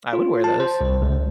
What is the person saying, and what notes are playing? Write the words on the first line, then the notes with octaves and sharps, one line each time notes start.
I would wear those.
F4
A5
C5
C2
C#2